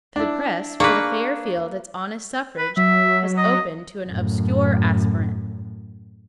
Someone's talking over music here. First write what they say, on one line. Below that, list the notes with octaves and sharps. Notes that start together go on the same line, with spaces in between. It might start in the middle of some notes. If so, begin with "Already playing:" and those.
To the Press, for the fair field its honest suffrage has opened to an obscure aspirant.
D4 E4
A#3 D4 G#4 B4 C#6
B4
F#3 E5
D#5
F#2 A2